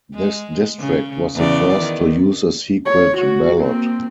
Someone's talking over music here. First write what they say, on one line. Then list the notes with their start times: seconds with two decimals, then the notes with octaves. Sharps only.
This district was the first to use a secret ballot.
0.14 G#3
0.79 C#3
1.35 E2 C#3 D5
1.80 D#3
2.86 C#5
3.18 F#4
3.61 A#3 C4